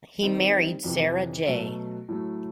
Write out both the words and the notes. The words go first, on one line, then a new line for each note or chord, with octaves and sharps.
He married Sara J.
D#3 G3 C4 D#4
F2 C3 E3
B2 F#3 A3
A2 F#3 A3